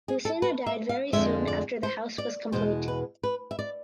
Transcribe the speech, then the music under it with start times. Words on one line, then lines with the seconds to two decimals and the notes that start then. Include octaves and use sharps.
Lucena died very soon after the house was complete.
0.08 G#4
0.25 A4
0.42 B4
0.66 E5
0.89 F5
1.13 F2 D3 G#3 E5
1.48 D5
1.83 C5
2.18 D5
2.52 E2 B2 G#3 C5
2.88 B4
3.23 B4
3.51 E5
3.59 D5